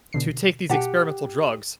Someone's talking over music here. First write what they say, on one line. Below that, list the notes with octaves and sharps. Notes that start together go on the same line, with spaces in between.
to take these experimental drugs,
B2 D3 C7
B2 G4 F#5 A5